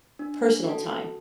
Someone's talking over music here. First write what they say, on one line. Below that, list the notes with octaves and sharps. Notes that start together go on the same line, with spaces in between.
personal time.
D4
F#4 A4